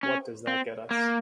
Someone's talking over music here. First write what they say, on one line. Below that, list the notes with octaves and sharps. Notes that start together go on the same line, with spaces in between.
What does that get us?
C#4
C4
A#3